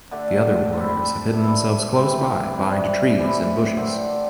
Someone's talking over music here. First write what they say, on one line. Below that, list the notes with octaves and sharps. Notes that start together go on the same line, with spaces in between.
The other warriors have hidden themselves close by behind trees and bushes.
D3 A3 D4 G4
G3 C4 A4
G2 G3 E4
E3 C4 E4 G4
G3 D4 G4
A2 E3 G3
D3 C4 G4